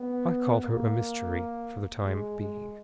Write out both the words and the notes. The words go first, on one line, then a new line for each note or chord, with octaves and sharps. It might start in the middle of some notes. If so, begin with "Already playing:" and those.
I call her a mystery, for the time being.
Already playing: B3
A#3
G#3
G#3